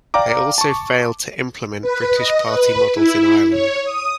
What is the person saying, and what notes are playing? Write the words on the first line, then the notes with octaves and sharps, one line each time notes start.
They also failed to implement British party models in Ireland.
D5 F5 G5 A#5 D6
A5 C#6
B4
D#5
B4
E4
C#5
D#6